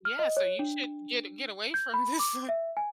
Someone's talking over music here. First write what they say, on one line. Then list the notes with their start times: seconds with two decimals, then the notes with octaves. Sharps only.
Yeah, so you should get get away from this
0.05 F6
0.19 D#5
0.37 C#5
0.59 D4
1.74 G6
1.94 B5
2.19 D6
2.49 E5
2.77 G#5